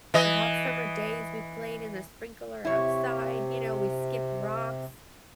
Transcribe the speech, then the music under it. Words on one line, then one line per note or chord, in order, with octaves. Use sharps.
on hot summer days, we played in the sprinkler outside, you know, we skipped rocks,
E3 D#5
C3 E4 C#5